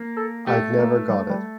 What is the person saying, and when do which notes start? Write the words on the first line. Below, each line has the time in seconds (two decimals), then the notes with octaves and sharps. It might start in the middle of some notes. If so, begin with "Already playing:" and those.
I’ve never got it.
Already playing: A#3
0.17 A4
0.47 A3 G4
0.78 A#3
1.09 G3
1.29 G3